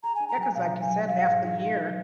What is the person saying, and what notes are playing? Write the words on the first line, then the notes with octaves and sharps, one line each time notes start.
Yeah, 'cause like you said, half the year,
G#4 A#5
G#5
D4
A#5
F#3 G#5
B2 F5
F#3
G#5
F#3
F#3 F5
G#2
D#4
F#3
D#4